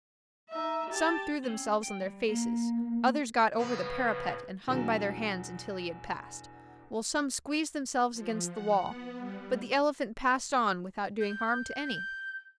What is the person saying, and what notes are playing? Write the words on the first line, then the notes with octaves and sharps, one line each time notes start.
Some threw themselves on their faces, others got over the parapet and hung by their hands until he had passed, while some squeezed themselves against the wall; but the elephant passed on without doing harm to any.
D#4 E5
G4 A5
C4 C#4
G5
G3
A#3
A2 C#3 F3 B3
E2 B2 D3 F#3
F3
F#5
B3
G3
G6
G6